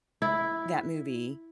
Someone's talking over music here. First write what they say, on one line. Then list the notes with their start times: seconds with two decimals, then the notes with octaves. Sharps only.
that movie.
0.22 E4